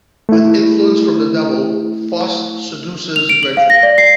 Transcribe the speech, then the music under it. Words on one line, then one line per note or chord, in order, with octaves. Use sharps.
With influence from the devil, Faust seduces Gretchen.
A3 E4
F7
D7
F#7
F5
A#6
D5
C7